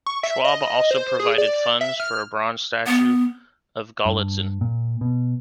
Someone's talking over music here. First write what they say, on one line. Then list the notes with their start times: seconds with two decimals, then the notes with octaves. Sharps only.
Schwab also provided funds for a bronze statue of Gallitzin.
0.06 C#6
0.23 E5
0.45 D#5
0.91 C5
1.20 G#4
1.38 D5
1.81 E5
2.00 F6
2.86 B3
4.05 G2
4.61 A#2
5.01 B2